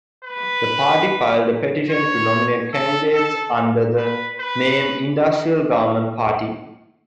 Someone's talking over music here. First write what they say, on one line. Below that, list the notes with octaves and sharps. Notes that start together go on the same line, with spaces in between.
The party filed a petition to nominate candidates under the name Industrial Government Party.
B4
C#5
A4
A4
B4
B4